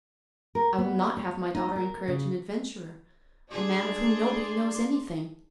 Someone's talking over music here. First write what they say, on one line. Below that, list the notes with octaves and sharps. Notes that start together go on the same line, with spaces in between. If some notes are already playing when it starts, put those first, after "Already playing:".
I will not have my daughter encourage an adventurer,--a man of whom nobody knows anything.
A#4
B3
C#5
D#4
A#4
C#3
D4 G#4 D5 C6